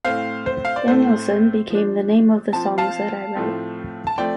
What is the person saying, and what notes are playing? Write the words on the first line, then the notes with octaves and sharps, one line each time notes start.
Danielson became the name of the songs that I write.
A2 A3 C4 C5 F5
C5
F5
D5
A2 A3 C4 C5
F3 D4
F3 C4 A5
F5 A5
A2 F3 A3 C4
A5
F3 A3 C4 D5 G5